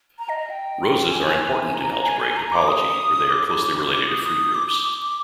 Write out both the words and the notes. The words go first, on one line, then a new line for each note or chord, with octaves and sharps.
Roses are important in algebraic topology, where they are closely related to free groups.
A#5
D#5
D#5
G5
G#5
A#5
G#5
G#5
A#5
D6
D#6
D6
D6
D#6
D#6
D6
D6